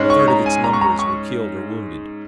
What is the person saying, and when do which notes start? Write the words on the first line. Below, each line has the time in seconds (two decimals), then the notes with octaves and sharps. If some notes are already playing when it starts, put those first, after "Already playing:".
A third of its numbers were killed or wounded.
Already playing: G#2 G#3 C#4
0.10 C#6
0.28 A#5
0.46 G#5
0.64 A#5
0.73 C#6
0.81 A#5
0.99 C#6